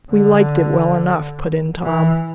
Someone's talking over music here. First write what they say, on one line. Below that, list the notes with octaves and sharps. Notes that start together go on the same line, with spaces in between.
"We liked it well enough," put in Tom.
D3
E3